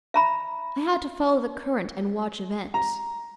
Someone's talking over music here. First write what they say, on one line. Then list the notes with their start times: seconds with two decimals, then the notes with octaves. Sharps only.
I had to follow the current and watch events.
0.14 E5 A#5 B5
2.74 A#5